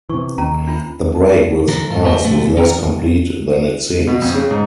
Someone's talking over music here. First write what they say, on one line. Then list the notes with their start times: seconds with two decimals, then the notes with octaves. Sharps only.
The break with the past was less complete than it seems.
0.09 C3 E3 C#6
0.38 D#2 C#4 A#5
0.67 D4 F4
1.68 D3 E3 F3 D4 A4 A#4
1.90 G#2 F4
2.04 G4 B4 C5 D#5
2.25 B2 D3 D#3 F3 A3
2.57 E3 C#4 G5 A#5
4.07 B2
4.22 F2
4.34 C#3
4.51 G#2